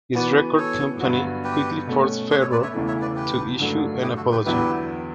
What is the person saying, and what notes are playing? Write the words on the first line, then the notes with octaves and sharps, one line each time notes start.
His record company quickly forced Ferro to issue an apology.
E3 B3 F#4 B4 D5
A4 C#5
G2 D3 F#3 B3 F#4
G4 B4
B2 A3 C#4
A4 C#5
A4 C#5
B4 D5
C#5 E5
E2 C#3 E3 A3
C#5 E5
B4 D5
G4 B4
G2 D3 F#3 A3 D4
E4 G4
F#4 A4
G4 B4
E2 D3 F#3 B3 E4 G4 B4